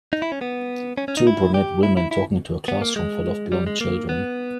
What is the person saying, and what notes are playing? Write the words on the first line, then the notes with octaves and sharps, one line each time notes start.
Two brunette women talking to a classroom full of blond children.
D#4
E4
C#4
B3
C#4
C#4
D#4
E4
G4
E4
E4
E4
B3
A#3
G#3
G3
G#3
A#3
B3